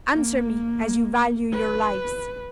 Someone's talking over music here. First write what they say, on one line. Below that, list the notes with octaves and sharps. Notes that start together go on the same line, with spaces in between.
Answer me, as you value your lives.'
A#3
B4